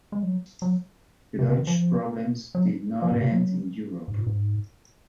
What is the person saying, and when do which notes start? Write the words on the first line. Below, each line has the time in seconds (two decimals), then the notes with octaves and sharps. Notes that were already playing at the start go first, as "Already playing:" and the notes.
The Doge's problems did not end in Europe.
0.12 G#3
0.23 F#3
0.62 F#3
1.39 C3
1.48 C#3
1.58 D#3
1.67 F3
2.55 F#3
3.02 F3
3.12 A#2
3.21 C3
3.31 F#3
4.08 G#2
4.18 A#2
4.26 G#2